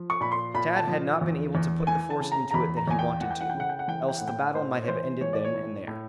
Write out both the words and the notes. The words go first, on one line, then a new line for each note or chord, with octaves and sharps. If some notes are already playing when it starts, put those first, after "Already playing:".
Tad had not been able to put the force into it that he wanted to, else the battle might have ended then and there.
Already playing: F3
C#6
A#2 B5
C6
A#2 B5
A5
F3
E2
E2
E3 G#5
A5
C#3
A#5
A#5
E2 B5
A#5
E2 G#5
G5
E3 F#5
G5
F#5
C#3 G5
F#5
G5
F#5
E3 G5
F#5
G5
A2 F#5
G5
F#5
A2 C5
C#5
E3 C5
E3 C#5
D5
C#5
A2
A2